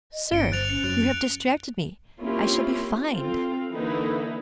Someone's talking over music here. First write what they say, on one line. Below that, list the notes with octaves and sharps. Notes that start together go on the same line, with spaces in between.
"Sir, you have distracted me; I shall be fined."
D#5
G1 C#4 C#7 D7 G7
C5 F#6 A6 F7
C#4 C#7
F#2 F#6
A#3 C4 C#4 E4 F4 G4
C4 F4 A4 F5
D3 E3 A#3 D#4 E4 B4